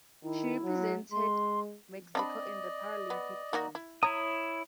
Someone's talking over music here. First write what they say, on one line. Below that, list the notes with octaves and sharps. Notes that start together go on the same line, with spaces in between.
She represented Mexico in the Paralympic Games.
D#3 E4
F#3
G#3 C6
C4 D4 D5 D#5 B5
B3
A#3 D#4 F#4
E4
E4 C#5 A#5 D#6